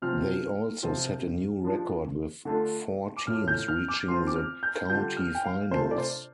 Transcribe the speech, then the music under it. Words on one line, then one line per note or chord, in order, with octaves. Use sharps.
They also set a new record with four teams reaching the county finals.
C3 F3 C4 F4 F6
C3 F3 C4 F4
F3 D4 F4
D3 A3 D4 F4
D6
A2 A3 F4 F6
G6
F6
D6
F3 C4 F4 C6
D6
F6
G6
D3 G3 D4 F4 G6
F6
G5
F5
C3 A3 D4 F4 C5
D5
C5